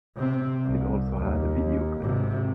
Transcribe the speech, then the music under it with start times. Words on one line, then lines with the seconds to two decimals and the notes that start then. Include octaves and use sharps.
It also had a video clip.
0.17 C3 C4
0.65 C2
1.17 D#2
2.01 G#1 C3